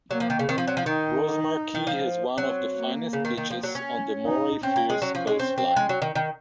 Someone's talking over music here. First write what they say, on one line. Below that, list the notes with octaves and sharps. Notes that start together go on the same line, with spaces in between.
Rosemarkie has one of the finest beaches on the Moray Firth Coast Line.
F#3 A#3
F3
D#3
C#3
D#3 C4
F3
F#3
F3
D#3 D#4
D#4
D#3
F3
F#3 C4
A#3
C#3
D#3
D#3
F3
F#3
C#4
D#4
C4 C#4
A#3
G#3
F#3 C#4
F3
G#3
C4
C4
G#3
F#3
D#3
D#3